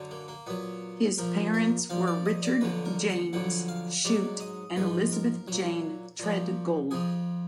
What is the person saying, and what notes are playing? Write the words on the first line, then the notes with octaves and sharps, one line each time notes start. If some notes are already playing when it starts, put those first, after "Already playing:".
His parents were Richard James Shute and Elizabeth Jane Treadgold.
Already playing: F#2 D3 F#3
A#3
A#3
A#2 F#3 B3
A#2 F3 A#4
A#4
A#2 F3 F5
D5
D#5
D5
F2 D3 F#3 B4
A#4
F#5
F2 D3 F#3 F#5
F5
G#2 F#3 D5
D#5
G#2 F3 B4
A#4
A#2 F#3
A#2 F3
F2 F3 G#4